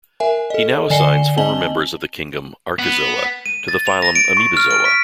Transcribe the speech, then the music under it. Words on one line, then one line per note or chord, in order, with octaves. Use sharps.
He now assigns former members of the kingdom Archezoa to the phylum Amoebozoa.
A#4 E5 G#5
A4 D#5
D3 D5 G#5 C7 C#7 G7
C4 D#5 G#5 A5 F#7 G7
B3
D#7
A6
F7
A#6
D7
C#6
F6
D7
B6